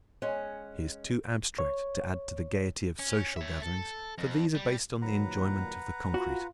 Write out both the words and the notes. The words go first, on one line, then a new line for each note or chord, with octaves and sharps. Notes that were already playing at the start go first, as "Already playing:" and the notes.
He is too abstract to add to the gaiety of social gatherings, for these are based on the enjoyment of the concrete.
G#3 C#4 F#5
C#5
C#4
C#5 E5
A4
F2
G3
A#2 D#3 F#3 B4 F#5 A#5
F4 F#4